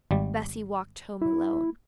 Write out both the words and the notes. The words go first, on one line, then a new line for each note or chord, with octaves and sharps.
Bessy walked home alone.
G#1 G3
E4